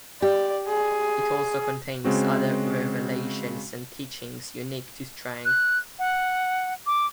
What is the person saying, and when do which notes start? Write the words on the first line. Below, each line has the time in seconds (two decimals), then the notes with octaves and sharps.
It also contains other revelations and teachings unique to Strang.
0.22 G4 D5
0.69 G#4
2.04 C#3 G#3 C4 F#4
5.45 F#6
5.99 F#5
6.86 D6